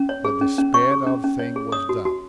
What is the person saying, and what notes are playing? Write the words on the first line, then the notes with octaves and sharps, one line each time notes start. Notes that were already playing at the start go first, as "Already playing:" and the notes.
The despaired-of thing was done.
Already playing: C#4
C#5
G#4
C#4
C#4
C#5 C#6
G#4
C#4
C#4
C#5
G#4
C#5 D#6
F#4
F#4